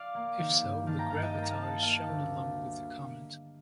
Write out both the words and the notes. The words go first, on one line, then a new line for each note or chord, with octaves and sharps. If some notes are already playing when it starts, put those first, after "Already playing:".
If so, the Gravatar is shown along with the comment.
Already playing: D5 F5
A#3
D#3
G2
D#3 F5 A5
G5 A#5
G2 F5 A5
D#5 G5
A#3 A5
A#5
F5 A5
A#3
A#3 F5 A5
D2